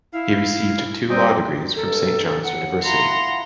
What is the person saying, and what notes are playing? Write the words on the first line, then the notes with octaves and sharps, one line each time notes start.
He received two law degrees from Saint John's University.
E4 F5
G3 C4 D#5 G5
G2 A4 A#4
D#2 F#5
E4 F4 A#5 C6